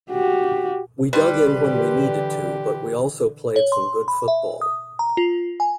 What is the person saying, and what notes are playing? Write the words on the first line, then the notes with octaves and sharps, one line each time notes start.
We dug in when we needed to but we also played some good football.
F#4 G4
D3 E3 G3 G4 B4 G5 C6
C#5
C6
B5
E5
D#6
A#5
F4
G#5